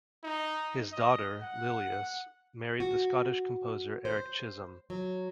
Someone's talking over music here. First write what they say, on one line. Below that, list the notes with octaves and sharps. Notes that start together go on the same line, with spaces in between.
His daughter, Lillias, married the Scottish composer Erik Chisholm.
D#4
D#5
F#5
F#4
C5
F#3